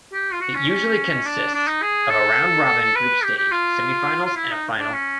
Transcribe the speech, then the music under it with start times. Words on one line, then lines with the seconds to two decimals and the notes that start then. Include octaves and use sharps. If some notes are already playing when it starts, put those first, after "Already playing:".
It usually consists of a round-robin group stage, semifinals, and a final.
0.13 G4
0.33 F4
0.41 F#4
0.55 C#4
0.69 C#4
1.26 D4
1.54 D4
1.68 D#4
1.82 G#4
2.10 A4
2.96 B4
3.24 G4
3.37 G4
3.52 F4
4.25 F4
4.36 E4
4.51 D#4
4.80 D4
4.93 C#4